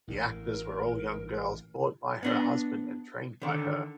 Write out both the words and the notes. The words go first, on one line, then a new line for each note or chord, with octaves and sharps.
The actors were all young girls bought by her husband and trained by her.
A1 A2 A#4
B3 D4 D#5
D3 D#3